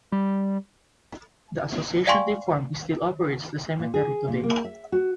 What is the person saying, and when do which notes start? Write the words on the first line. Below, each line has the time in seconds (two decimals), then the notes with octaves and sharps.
The association they formed still operates the cemetery today.
0.12 G3
2.07 D5 F5 G5 G#5 C6 C#6
3.79 A#2
3.94 G#4
4.28 A#2
4.43 A#3
4.64 E5
4.92 F#4